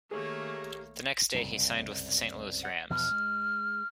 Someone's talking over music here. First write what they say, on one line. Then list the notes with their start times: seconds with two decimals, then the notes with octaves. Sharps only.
The next day, he signed with the Saint Louis Rams.
0.11 D#3 A3 A#3 G4 G#4 C#5
1.34 C2 F#2 C#3
2.63 F#5
2.90 E2 B2 F3 F6
3.11 G#3